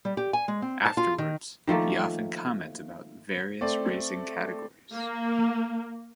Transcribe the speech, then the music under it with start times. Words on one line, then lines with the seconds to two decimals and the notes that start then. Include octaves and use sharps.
Afterwards, he often comments about various racing categories.
0.05 G3
0.17 G4
0.33 G#5
0.48 G#3
0.62 C4
0.85 A5
0.97 F4
1.18 D#3
1.67 D#3 F3 A3 A#3
3.61 A3 C4 D5
4.92 A#3